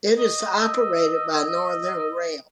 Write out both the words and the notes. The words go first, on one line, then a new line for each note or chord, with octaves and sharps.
It is operated by Northern Rail.
D#5
E6